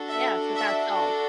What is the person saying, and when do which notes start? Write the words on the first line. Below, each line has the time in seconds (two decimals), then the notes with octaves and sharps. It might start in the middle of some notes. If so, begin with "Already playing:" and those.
Yes, without salt.
Already playing: D4 F#4 A4
0.09 E5
0.56 E5